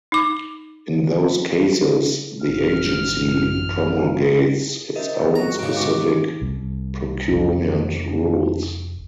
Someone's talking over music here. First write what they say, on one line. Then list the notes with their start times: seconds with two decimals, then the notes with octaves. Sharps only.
In those cases, the agency promulgates its own specific procurement rules.
0.12 D#4 D6
2.42 A1 F#2 F6
4.95 A#4 C5 D#5 E5
5.35 F#4 A#5
5.59 G#2 C#3 D7
5.77 C#2 G#2 D6
6.42 C2
7.31 F1